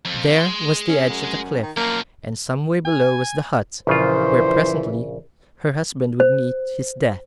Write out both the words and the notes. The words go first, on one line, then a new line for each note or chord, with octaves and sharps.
There was the edge of the cliff, and some way below was the hut, where presently, her husband would meet his death.
F2
G#4 C6
C#4
F#2
D#3
F#2 F3 A#3
G#5
A#1 C#3 E3 F4 C5
C5